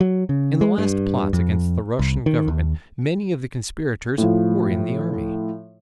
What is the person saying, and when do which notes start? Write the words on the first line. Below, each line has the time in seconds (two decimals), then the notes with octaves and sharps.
In the last plots against the Russian Government many of the conspirators were in the army.
0.01 F#3
0.29 C#3
0.61 G#3
0.78 G2
1.33 F2
1.99 C2
2.26 D#3
2.48 D#2
4.18 A2 F3